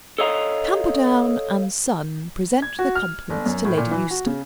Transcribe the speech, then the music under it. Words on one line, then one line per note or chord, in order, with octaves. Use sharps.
Camperdown and Son present their compliments to Lady Eustace.
A4 C#5 D#5 F5 A#5
G#6
F#4
F6
G1
F#2
A2
A#2
E3
F#4
C#3